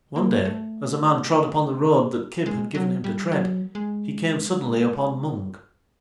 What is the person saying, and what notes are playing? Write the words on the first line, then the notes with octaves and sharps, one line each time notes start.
One day as a man trod upon the road that Kib had given him to tread he came suddenly upon Mung.
A#3
A3
G#3
F#3
G3
F#3
G#3